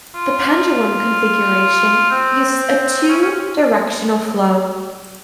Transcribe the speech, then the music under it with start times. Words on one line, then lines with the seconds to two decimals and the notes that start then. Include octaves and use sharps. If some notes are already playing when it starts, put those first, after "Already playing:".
The pendulum configuration uses a two-directional flow.
0.15 F4
2.11 C4
3.09 C#4
3.22 C#4
3.35 C#4